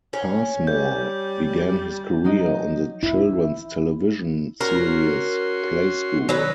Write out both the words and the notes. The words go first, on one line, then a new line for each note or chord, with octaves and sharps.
Passmore began his career on the children's television series "Play School".
C#4
G3 G6
F#3 D#4 D#5
E4
C#4 F#4 A#4 C6
D#3 F#3 C#4 B4